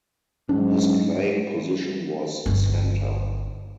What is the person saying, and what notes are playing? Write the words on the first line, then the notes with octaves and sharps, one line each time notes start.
His playing position was centre.
G#2 F#3 C#4 D4
G1